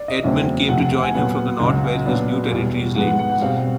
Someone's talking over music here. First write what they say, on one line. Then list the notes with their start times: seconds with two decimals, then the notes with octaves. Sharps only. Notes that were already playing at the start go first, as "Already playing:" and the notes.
Edmund came to join him from the North, where his new territories lay.
Already playing: D5
0.08 D#5
0.23 E2 C#3 F#3 A3 C4 E5
0.68 D2 C3 F3 A3 F#5
0.81 F#5
0.92 F#5
1.02 G#5
1.15 A#2 F#3 B3 F#5
1.60 C#2 C#3 F#3
2.05 A#2 F#3 B3 D4
2.51 E2 B2 G3
2.96 G#2 F3 G#3 B3 F#5
3.07 F#5
3.19 F#5
3.30 F#5
3.41 B2 G3 C4 F5